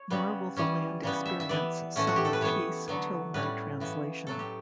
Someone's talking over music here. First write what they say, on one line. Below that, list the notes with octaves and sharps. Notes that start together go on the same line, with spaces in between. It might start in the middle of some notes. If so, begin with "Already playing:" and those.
Nor will the land experience solid peace till my translation.
Already playing: C#5
C#3 G3 B3
E3 G3 C#4
C#3 G3 B3
E5
E5
E3 B3 D5
A2 E3 A3 C#4
F#4
G4
A4
B4
E3 B3 C#5
D3 F#3 B3
A2 G3 C#4 B4
C#3 E3 B3
A2 F#3 B3 A4
G4